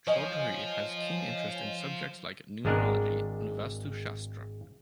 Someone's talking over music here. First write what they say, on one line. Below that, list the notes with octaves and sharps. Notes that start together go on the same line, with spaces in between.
Chaudhry has keen interest in subjects like Numerology and Vastu Shastra.
F3 C#5 D#5 G#5
G#1 G#3 D4 A#4 F#5